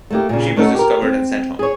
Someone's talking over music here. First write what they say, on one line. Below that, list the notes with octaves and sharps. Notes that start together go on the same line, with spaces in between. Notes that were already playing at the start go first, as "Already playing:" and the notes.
She was discovered and sent home.
A3 A#3 G4
A#2 C#3
A3 C#4 D#4 F#4 A4
G4 A#4
C4
G#4 C#5